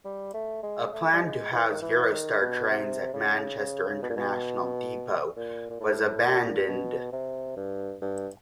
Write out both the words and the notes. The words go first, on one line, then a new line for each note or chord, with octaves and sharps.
A plan to house Eurostar trains at Manchester International Depot was abandoned.
G3
A3
G#3
A3
G3
G#3
E3
D#3
E3
D#3
B2
C3
C#3
C#3
B2
A#2
B2
A#2
A#2
A2
A#2
B2
C3
G2
G2